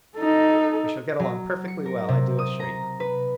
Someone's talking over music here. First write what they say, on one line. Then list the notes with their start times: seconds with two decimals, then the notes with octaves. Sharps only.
We shall get along perfectly well, I do assure you.
0.17 D#4 A4
1.19 F#3
1.68 C#7
1.86 A#4
2.09 C3
2.39 D#6
2.60 A#5
3.00 B4